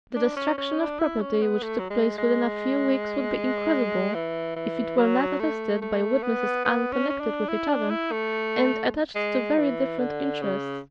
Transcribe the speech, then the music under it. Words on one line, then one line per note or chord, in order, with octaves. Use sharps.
The destruction of property which took place within a few weeks would be incredible, if it were not attested by witnesses unconnected with each other and attached to very different interests.
D4
C#4
C#4
D4
E4
C#4
B3
A3
F#3
G#3
G#3
E3
E3
F#3
A3
A3
B3
B3
C#4
C#4
D4
E4
D4
E4
A3
G#3
E3
D3
C#3